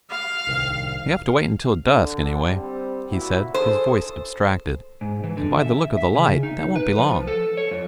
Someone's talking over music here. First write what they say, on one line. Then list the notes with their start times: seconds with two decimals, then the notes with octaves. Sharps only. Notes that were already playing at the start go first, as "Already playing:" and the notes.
"We have to wait until dusk anyway," he said, his voice abstracted, "and by the look of the light that won't be long."
0.10 F5
0.47 D1 C2 D#3
1.86 D3
2.50 G3 C4
3.11 A#2 E4 F#4
3.54 G#4 A4 C5
5.01 G#2
5.24 E3
5.37 D3
5.58 E5
5.97 E5
6.15 C#3
6.43 D#4
6.75 B4
6.99 F3
7.27 A4
7.57 C#5
7.71 F2